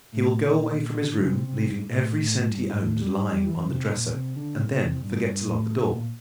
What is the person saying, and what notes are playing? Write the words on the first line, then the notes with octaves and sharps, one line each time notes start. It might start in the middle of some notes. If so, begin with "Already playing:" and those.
He will go away from his room leaving every cent he owns lying on the dresser--and then forget to lock the door!
A2
A#2
A#2
D3
C3
C3
A2
A2
G2
A2
G3
G3
E3
C3
A#2
C3
D3
C3
A#2
C3
G2
A2
A#2
A#2